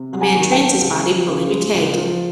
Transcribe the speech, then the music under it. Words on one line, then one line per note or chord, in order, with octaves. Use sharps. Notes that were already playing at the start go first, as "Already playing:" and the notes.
A man trains his body pulling a keg.
Already playing: C3
F#3
G#5 A#5
D#3
G5 A5
B3
C#2
F3
C#3
G#3
C#2
F3